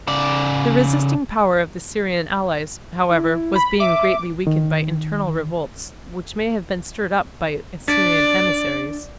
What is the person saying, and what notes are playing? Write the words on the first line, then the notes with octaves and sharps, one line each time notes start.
The resisting power of the Syrian allies, however, was being greatly weakened by internal revolts, which may have been stirred up by Assyrian emissaries.
C#3 D5
E4
B5
E5 D6
D#3
D4 D5 A6